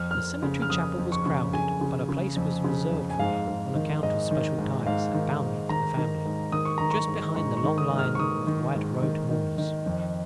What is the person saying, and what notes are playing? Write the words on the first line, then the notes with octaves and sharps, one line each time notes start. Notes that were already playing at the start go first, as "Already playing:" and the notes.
The cemetery chapel was crowded, but a place was reserved for me, on account of special ties that bound me to the family, just behind the long line of white-robed mourners.
Already playing: F2 F6
F2 F6
C#3
F6
F2 D#6
F2
C#6
C#3
C#3 G#5
C#3
C#3
F2
C#3
F2
G#5
G#2 F5
G#2
D#3
G#2 D#5
D#3
G#2
G#2 F5
D#3
G#2
D#3 A#5
D#3
G#2
D#3 D#6
C#6
D#3 A#5
C#6
G#2
G#2 C#6
C#6
D#3
D#6
G#2
F6
C#6
D#3 D#6
D#3
G#2
D#3
D#3
D#3
F2